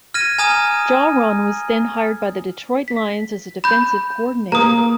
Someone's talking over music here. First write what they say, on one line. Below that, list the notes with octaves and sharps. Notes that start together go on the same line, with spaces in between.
Jauron was then hired by the Detroit Lions as a defensive coordinator.
F6 G#6 A#6 D#7
G#5 A#5 D#6 F6 D#7
B6
B5 G6
A#3 A#5 D#6